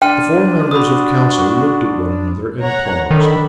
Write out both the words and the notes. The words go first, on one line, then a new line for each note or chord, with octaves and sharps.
The four members of Council looked at one another, and paused.
D4 G5 C6 F6 D#7
F#4 B5 D6 D#6
C#5 F#5 A#5
D#3 D4 A4 B5